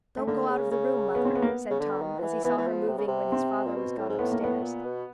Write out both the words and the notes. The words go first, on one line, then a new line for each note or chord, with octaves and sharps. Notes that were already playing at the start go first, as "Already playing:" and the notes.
"Don't go out of the room, mother," said Tom, as he saw her moving when his father was gone upstairs.
A3
D3 A#3
C#3
C#3
B3
C4
B3
A#3
B3
C#3
D3
D#3
F3
E3
E3 B3
E3
F3
C3
C#3
C3
C4
A#2
B2
A2
G#2
A2 B3
A#3
A2 B3
A#2
B2